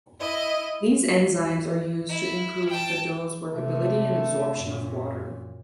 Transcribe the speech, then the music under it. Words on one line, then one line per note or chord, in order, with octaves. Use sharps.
These enzymes are used to improve the dough's workability and absorption of water.
E4 D#5
E4
G5 A5
C3 A3
F#2 A#2